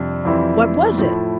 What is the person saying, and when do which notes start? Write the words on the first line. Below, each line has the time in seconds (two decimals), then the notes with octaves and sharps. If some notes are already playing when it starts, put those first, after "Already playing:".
What was it?
Already playing: F2 C3 G3 D4
0.25 F2 E3 G3 C4 E4
0.98 A2 F3 A3 E4